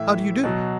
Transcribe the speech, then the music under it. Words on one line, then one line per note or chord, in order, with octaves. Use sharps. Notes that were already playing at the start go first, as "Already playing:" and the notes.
"How do you do?"
Already playing: A2 E3 E5
B2 F#3